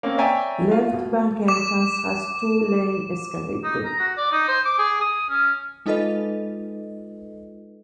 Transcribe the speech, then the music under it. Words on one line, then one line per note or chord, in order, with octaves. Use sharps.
Left bank entrance has a two-lane escalator.
A#3 C4 C#4
C#5 D5 E5 G5 G#5 A#5
F4
B2
D6 E7
D#4
A#5
F#4
D5
D#4
C5
D6
G#4
D#6
C#4
G#3 D#4 F4 A4 B4 D#5